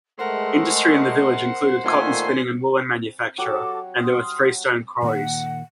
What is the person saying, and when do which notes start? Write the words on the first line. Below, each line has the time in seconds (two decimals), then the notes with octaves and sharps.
Industry in the village included cotton-spinning and woollen manufacture and there were freestone quarries.
0.19 G#3 A3 A#4 C5 F#5
1.84 A#2 D#3 A3 G#5 C6
3.38 F#3 F#4 G4 A4 F#5 D6
3.98 C6 D#6 F6
5.02 A#2 D#3 A#3 F#5